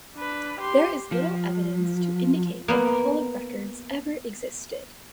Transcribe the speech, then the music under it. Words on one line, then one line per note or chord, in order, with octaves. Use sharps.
There is little evidence to indicate that the Hall of Records ever existed.
D4 B4
G4 C6
F3
A#3 B3